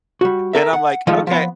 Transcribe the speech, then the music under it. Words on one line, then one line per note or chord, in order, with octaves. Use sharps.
and I'm like, "Okay,
G3 F#4
A4 A#4 E5
F#5
D#3 F3 G#3 A3 D#4 F4
F3 B3